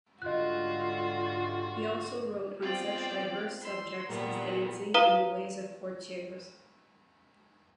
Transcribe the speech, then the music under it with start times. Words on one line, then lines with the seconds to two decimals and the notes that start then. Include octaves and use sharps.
He also wrote on such diverse subjects as dancing and the ways of courtiers.
0.22 G#2 D3 G3 F4 F#4 D#5 F#6
2.60 B3 C4 F4 G#4 D5 G5
3.60 C6 E6
4.08 E2 A#2 G3 B3 G#4 A#4
4.94 B4 F5 A#5 D#6 D#7